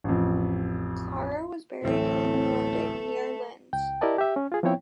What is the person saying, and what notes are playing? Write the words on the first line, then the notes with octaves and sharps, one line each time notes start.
Klara was buried in Leonding near Linz.
A1 F2
D1 A1 A2 A3 C4 A4
C#2 G5
E4 G4 A#4 D5 D#5 A5
G4 E5
C#4
F4 G#4
F3 B3 C4 E4 C#5 G5